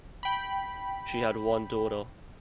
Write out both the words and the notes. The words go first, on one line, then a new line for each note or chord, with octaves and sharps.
She had one daughter.
G5 B5